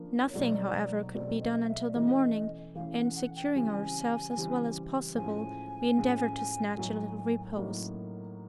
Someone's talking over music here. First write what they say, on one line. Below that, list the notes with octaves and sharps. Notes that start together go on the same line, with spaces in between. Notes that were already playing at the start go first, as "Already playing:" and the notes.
Nothing, however, could be done until the morning, and, securing ourselves as well as possible, we endeavoured to snatch a little repose.
Already playing: F3 A#3 D4 F4
C#5
B2 F#3 A3 C4 D#4 D5
B2 F#3 A3 C4 D#4 D5
D#5
F5
E5
D5
E3 A3 C#4 D#5
E3 A3 C#4 F5
F#5
F#5
G5
C#3 E3 G3 C4 G#5
C#3 E3 G3 C4
A2 F3 G#3 C#4 G#5
A2 F3 G#3 C#4
A2 F#3 A#3 D#4
A2 F#3 A#3 D#4